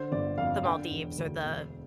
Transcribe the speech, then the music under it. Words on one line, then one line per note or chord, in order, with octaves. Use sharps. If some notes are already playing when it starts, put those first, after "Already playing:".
the Maldives or the,
Already playing: D3 C5
G1 D5
F2 F5
D3 G5
E1
D2
E1